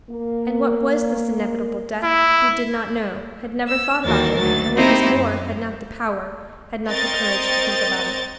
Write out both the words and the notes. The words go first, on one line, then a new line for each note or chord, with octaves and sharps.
And what was this inevitable death--he did not know, had never thought about it, and what was more, had not the power, had not the courage to think about it.
A#3
E4
E6
D#2 E3 F#4 A#4 A6
D2 D#3 F#3 A6
A#3 C4 D#4 E4 G4
F#2
C4 A#4 D#5 C#6 G6 A6